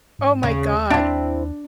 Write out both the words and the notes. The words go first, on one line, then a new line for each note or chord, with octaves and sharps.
Oh my god.
G#2
D#2 C#3
C4 D4 E4